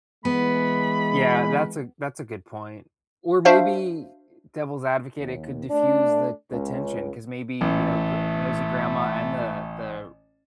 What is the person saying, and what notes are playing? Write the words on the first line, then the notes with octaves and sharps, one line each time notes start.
Yeah, that's a that's a good point, or maybe, er, devil's advocate, it could diffuse the the tension 'cause maybe, you know, gr nosy grandma and the the
E3 G#3 B3 B5
D4 F#4 C5 E5 F5
D#2
A3 D4
C#2
A1 A3